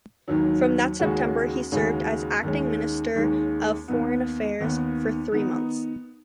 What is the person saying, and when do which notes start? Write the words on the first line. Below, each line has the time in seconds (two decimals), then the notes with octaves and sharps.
From that September he served as acting Minister of Foreign Affairs for three months.
0.28 D#2 D#3 F#3
0.99 D#2 C#3 G#3 C#4 F#4
1.72 D#2 C#3 G#3 C#4 F#4
2.43 D#2 D#3 G#3 C#4
3.15 D#2 D#3 G#3 C#4
3.88 D#2 D#3 B3
4.60 D#2 D#3 B3
5.31 D#3 B3 D#4